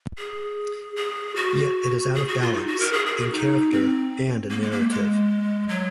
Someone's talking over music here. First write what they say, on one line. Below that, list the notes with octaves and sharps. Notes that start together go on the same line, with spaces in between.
Yet it is out of balance, in character and in narrative.
G#4
G#4
F#4
G#4
F#4
F4
D#4
F#4
A#4
G#4
G#4
F#4
D#4
C4
A#3
G#3
A#3
G#3
F#3